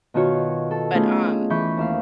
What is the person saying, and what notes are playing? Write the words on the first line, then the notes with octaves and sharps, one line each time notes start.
But, um
B2 D#3 F4 F#4 C#5
A4
A3 B3 C#4 D#4 F4 G#4
E3 B5 C#6 G6
D#2 E5 F5